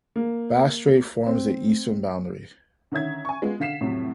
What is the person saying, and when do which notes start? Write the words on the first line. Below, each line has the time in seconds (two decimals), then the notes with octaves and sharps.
Bass Strait forms the eastern boundary.
0.16 A#3
1.27 C4
2.92 D3 D#3 C#4 E5 G#6
3.25 G#5 C#6
3.42 G#3 B3 F4
3.60 D3 F5 B6 C7 E7
3.81 F2 A2 C3 F#3